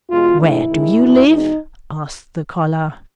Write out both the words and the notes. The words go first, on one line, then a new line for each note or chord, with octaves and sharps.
"Where do you live?" asked the collar.
E2 B2 G#3 F4
G#2 E3 A3 D4 E4
C3 D#3 G#3
F#2 D3 F#3
E2 B2 G#3 D#4